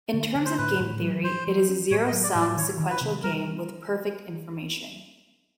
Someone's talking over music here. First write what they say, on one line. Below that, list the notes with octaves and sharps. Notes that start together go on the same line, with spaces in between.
In terms of game theory, it is a zero-sum, sequential game with perfect information.
D3
D3
C5
A2 B4
A2
F#3
F3 C5
F3
C#4
A2 C#5
D#5
F#3
D5
A2
D5
D#3 C#5
D#3
B4
C3
G3 A#4